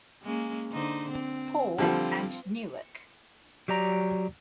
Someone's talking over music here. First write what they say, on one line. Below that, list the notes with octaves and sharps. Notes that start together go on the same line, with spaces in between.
Paul, and Newark.
G#3 A#3 C#4
D3 D#4 C5
C4
D3 F3 G3 C4 F4
F#3 G4 D5 A#5